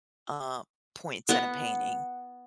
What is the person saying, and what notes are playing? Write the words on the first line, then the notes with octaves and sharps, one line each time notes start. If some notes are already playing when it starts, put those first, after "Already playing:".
um, points in a painting."
B3 F#5